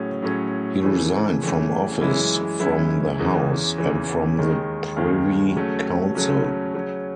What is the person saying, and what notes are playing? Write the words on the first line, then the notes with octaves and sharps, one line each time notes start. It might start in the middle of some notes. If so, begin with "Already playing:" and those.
He resigned from office, from the House, and from the Privy Council.
Already playing: A2 F#3 C#4 G#4
A2 F#3 C#4 G#4
C#3 E3 A3
C#3 E3 A3
F#2 E3 G#3 C#4 E4
F#2 E3 G#3 C#4 E4
E2 C#3 E3
E2 C#3 E3
D#2 D#3 G#3
D#2 D#3 G#3
C#3 F#3 A3 C#4
C#3 F#3 A3 C#4
C#3 F#3 C#4